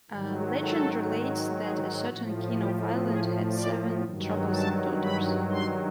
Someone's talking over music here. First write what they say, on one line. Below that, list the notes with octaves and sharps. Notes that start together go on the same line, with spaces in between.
Legend relates that a certain king of Ireland had seven troublesome daughters.
G#2 D#3 F#3
A4
G#4
A2 F3 F#4
G4
G#4
D5
G2 D#3 F#3
A5
B5
C6